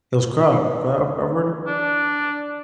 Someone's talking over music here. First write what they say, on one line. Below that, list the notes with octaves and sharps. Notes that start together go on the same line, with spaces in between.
It was Craw Craw Crawford?
D4